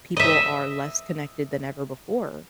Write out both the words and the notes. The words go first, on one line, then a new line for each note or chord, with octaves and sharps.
people are less connected than ever before.
D#5 E5